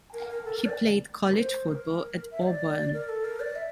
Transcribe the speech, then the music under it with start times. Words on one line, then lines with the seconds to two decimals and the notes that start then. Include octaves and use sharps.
He played college football at Auburn.
0.14 A#4
0.30 A#4
0.45 A4
0.55 A#4
0.66 D5
1.30 A#4
1.38 C5
1.68 A#4
2.31 E5
2.42 C5
2.47 D5
2.93 A#4
3.09 A4
3.25 A#4
3.40 D5
3.55 E5